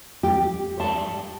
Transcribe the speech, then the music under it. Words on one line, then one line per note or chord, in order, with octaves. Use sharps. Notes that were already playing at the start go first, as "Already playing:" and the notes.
but, um
G4
A5